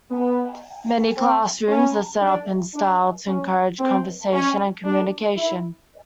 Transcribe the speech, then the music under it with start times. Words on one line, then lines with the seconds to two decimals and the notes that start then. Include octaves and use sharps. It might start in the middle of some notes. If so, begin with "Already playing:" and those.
Many classrooms are set up in a style to encourage conversation and communication.
0.11 B3
1.16 C4
1.69 C#4
2.22 D4
2.74 D4
3.26 C#4
3.79 C4
4.32 C#4
4.84 D4
5.37 E4